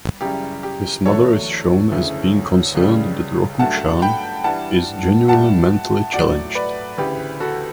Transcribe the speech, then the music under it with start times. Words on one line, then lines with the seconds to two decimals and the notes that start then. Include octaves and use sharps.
His mother is shown as being concerned that Roku-chan is genuinely mentally-challenged.
0.21 F#2 C#3 E3 G3 G4
0.63 G4
1.05 E2 D3 F#3 A3 A4 C#5
1.90 D2 C#3 E3 A3
2.75 C#2 C#3 G3
3.59 G2 F#3 A3 F#5 A5
4.02 G5 B5
4.44 G2 E3 G3 F#5 A5
5.28 A2 G3 F#5 A5
6.13 A2 F#3 A3 D5 F#5
6.55 B4 D5
6.98 D2 C#3 E3 G4 B4
7.40 F#4 A4